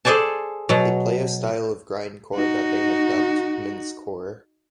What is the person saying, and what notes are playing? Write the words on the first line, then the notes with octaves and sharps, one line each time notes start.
They play a style of grindcore that they have dubbed "mincecore".
G#4 A4 C5 D5 G#5 A5
B2 F#3
D#4 F#4